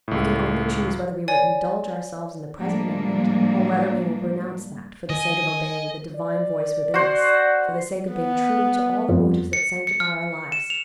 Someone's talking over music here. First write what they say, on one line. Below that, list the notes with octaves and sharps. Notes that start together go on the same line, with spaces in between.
We can only choose whether we will indulge ourselves in the present moment, or whether we will renounce that, for the sake of obeying the divine voice within us,--for the sake of being true to all the motives that sanctify our lives.
C#2 A2
C#5 D5 G#5
A2 F3 G3 G#3 A#3 D4
D#3 D#5 G#5
D5
F#4 C5
B3
F2
C#7
C#7
F6
E7
F7